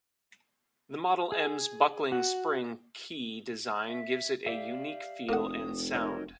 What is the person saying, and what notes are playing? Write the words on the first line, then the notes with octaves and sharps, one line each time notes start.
The Model M's buckling spring key design gives it a unique feel and sound.
G#4
F#4
E5
G4 D5 E5 F5
F1 A#3 F#5 D#6
D#4 A#4 C#5 D#5